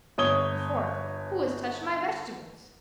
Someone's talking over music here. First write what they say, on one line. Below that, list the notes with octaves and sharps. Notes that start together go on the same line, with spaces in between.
The fourth, "Who has touched my vegetables?"
G1 C#5 D#6 G7